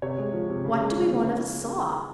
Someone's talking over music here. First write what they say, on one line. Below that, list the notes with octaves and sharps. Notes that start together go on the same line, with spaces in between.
"What do we want of a saw?"
C3 C#5
G#3
F3
C3
C#3
G#3
F3
C#3